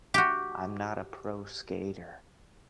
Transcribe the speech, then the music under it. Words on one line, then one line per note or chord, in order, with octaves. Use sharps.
I'm not a pro skater,
F#4 G4